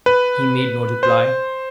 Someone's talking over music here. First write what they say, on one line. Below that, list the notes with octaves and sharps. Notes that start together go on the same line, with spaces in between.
He made no reply.
B4
C5